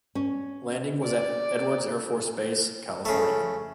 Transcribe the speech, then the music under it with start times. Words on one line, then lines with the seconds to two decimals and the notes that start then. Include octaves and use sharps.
Landing was at Edwards Air Force Base, California.
0.15 C#4
1.04 D5
3.05 C#3 A3